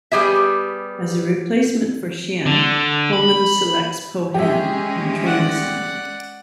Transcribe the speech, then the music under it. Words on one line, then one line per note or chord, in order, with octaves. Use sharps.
As a replacement for Chien, Holman selects Po-Han, and trains him.
G3 B3 G4 G#4 E5
D3
B5
G#3 C#4 G4 G#4 E5
D5 F#5